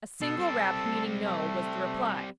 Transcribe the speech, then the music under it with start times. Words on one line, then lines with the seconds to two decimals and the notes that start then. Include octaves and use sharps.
A single rap, meaning "No," was the reply.
0.21 B2 A4 A5
0.38 G3 C4
1.24 A3